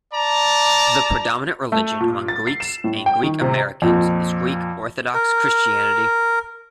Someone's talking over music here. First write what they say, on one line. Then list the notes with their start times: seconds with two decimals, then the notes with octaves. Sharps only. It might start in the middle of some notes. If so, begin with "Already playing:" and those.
The predominant religion among Greeks and Greek Americans is Greek Orthodox Christianity.
0.14 D5 A5 A#5
1.72 A3
2.00 A#2
2.28 A6
2.47 C7
2.60 E7
2.84 A2
3.06 G5
3.23 D#3
3.41 C3
3.82 F2 A#2
5.14 A#4